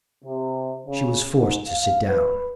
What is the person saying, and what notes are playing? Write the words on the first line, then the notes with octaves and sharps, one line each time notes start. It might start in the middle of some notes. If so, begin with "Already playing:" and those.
She was forced to sit down.
C3
C#3
G#2
F5
B4